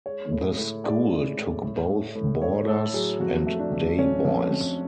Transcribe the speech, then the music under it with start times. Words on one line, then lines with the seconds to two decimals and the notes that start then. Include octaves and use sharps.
The school took both boarders and day boys.
0.06 G#3 C#5
0.32 A2
0.58 A2
0.84 G#3 D5
1.10 G#3
1.37 A2
1.63 A2
1.89 A2
2.15 A2
2.41 A2 C#5
2.68 A2 A4
2.94 F#3 G#4
3.20 F2 F#4
3.47 A3
3.59 D4
3.73 F2
3.99 F2 C#4
4.25 F2
4.51 F2